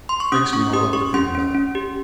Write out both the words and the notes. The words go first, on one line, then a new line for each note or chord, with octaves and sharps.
It breaks me all up to think about it.
C6
C#6
C#4 D#6
C#4 C#6
G4 D#6
G4 C#6
C#4 C6
C#4
C#4
G4